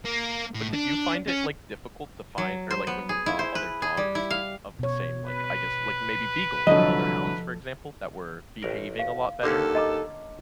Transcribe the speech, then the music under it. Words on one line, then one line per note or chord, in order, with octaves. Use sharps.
but did you find it like difficult to find or like when, uh, other dogs of the same like I guess like maybe beagles or other hounds, for example, that were behaving a lot better?
A#3
A2
D4
C#4
F#3
C5
B3
G#4
E4
C5
B4
G#4
G3
E4
F5
B2 C#5
B4
C2 D3 F3 F#3 A4 D#5
A1 A#4
F5
D#2 D3 A#3 C#4 A4
D#5 A#5 D6